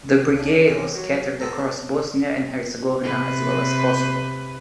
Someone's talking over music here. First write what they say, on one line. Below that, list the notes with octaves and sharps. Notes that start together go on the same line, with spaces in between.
The Brigade was scattered across Bosnia and Herzegovina as well as Kosovo.
C2
C#3 D4
E2 D#3 C#4
F#3 C#6
B3 C4 A4 A#5
D4
C3 B4